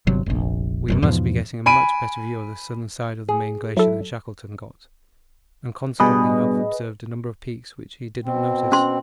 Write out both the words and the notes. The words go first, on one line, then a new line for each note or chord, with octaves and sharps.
We must be getting a much better view of the southern side of the main glacier than Shackleton got, and consequently have observed a number of peaks which he did not notice.
G1 C3 F#3
F1 A#1
F1 F#2 B2
E2 G#2 B2 F3
G#5 B5 D7 D#7
G#4
F#3 E4 A4
G2 B2 G#4 B4 D#5
B2 C4
C#4 C6